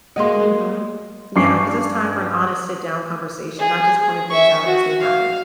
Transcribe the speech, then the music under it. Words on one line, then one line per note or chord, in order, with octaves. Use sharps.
Mhm. Yeah, 'cause it's time for an honest sit down conversation, not just pointing things out as they happen
G#3 A#3 F#4 D#5 C6
G2 C#4 C#6 D6 C7
G#4
G#4
E5 C#6
F#4
F5